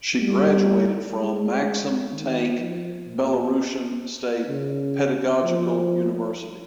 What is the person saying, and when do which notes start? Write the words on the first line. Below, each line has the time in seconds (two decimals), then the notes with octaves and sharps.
She graduated from Maxim Tank Belarusian State Pedagogical University.
0.22 G3
1.16 G#3
2.12 D#3
2.59 F3
3.06 A#2
4.49 C#3
5.44 F3